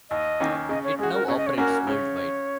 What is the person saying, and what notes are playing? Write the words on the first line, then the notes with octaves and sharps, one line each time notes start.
It now operates worldwide.
D#2 D#5
D#3 A#3 C#4
C#3 D#5
C#5
G#3 F#4 G#4
A#4
C#3 C#5
D#5
C#5
A#3 C#4 F#4 A#4
C#3 C#5